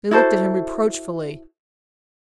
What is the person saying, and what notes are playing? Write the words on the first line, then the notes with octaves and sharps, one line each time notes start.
They looked at him reproachfully.
E4 F#4 A4 C5